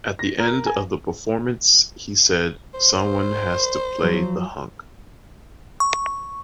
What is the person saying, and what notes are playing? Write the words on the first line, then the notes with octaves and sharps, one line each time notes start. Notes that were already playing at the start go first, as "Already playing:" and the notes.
At the end of the performance, he said: "Someone has to play the hunk".
A#6
A#4
G#5
C5
F3 F#3
C#6